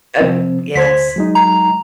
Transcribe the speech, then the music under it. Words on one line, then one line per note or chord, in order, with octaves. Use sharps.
Uh Yes.
C3 F3 C4
D2 C5 G#6 B6
F#3 G#3 D#4
A#5